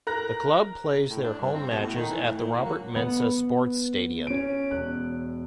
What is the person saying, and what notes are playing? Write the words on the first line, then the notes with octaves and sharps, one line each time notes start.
The club plays their home matches at the Robert Mensah Sports Stadium.
A#4 A#5 F#6 A#6
A2
D4
G2
C4
B2
A2
D#3
E3
A2
A#2
A#3
F#3
B3
C#4 D7
E1 F#6